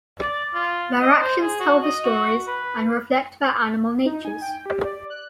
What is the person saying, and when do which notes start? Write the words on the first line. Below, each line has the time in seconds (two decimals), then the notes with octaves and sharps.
Their actions tell the stories, and reflect their animal natures.
0.22 D5
0.55 F4
1.02 D#5
1.21 C5
1.41 G#4
1.60 F#4
1.83 D#5
2.05 F#4
2.48 B4
4.06 D#4
4.25 G#5
4.42 G5
4.66 G4
4.85 D5
5.10 F#6